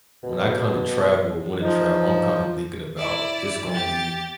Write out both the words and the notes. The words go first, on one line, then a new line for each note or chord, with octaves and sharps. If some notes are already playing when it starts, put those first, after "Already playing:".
when I kinda travel or wanna travel, I'm kinda thinking about it's gonna be
B2
F3 D#4
E4 D5
G4 A6